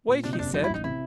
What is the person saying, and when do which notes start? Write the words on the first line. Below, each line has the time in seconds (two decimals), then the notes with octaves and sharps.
"Wait!" he said.
0.08 A#2
0.24 C3 D4
0.33 D#4
0.39 F#1 D4
0.53 F#3 D#4
0.64 E4
0.70 A1 D#4
0.84 C3 E4